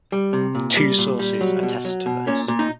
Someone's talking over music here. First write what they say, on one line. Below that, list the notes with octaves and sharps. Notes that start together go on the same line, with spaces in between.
Two sources attest to this.
G3
C3
A#2
G3
A#2
G3
F#3
B2
F#3
B2
A#2 C#4
A#2
D#4